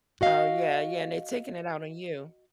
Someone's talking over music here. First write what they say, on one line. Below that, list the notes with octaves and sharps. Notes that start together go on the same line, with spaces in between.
Oh yeah, yeah, and they taking it out on you.
F#4 D#5 F5